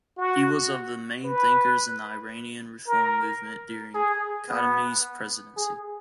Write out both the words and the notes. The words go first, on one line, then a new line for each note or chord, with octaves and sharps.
He was of the main thinkers in the Iranian reform movement during Khatami's presidency.
F#4
B4
A#4
G#4
B3
G#4